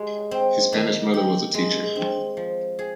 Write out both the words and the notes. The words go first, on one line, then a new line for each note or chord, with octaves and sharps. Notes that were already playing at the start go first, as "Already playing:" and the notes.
His Spanish mother was a teacher.
Already playing: G#3 G4
C4
D#3
G4
G#3
C4
F3
G#4